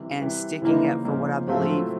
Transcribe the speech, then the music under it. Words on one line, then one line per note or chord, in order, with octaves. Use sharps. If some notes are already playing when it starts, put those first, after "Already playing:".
and sticking up for what I believe
Already playing: C3 E3 G3
C3 E3 G3
C#3 E3 F3 A#3 D#4
C#3 F3 A#3 D#4
A2 F3 F#3 A3 C4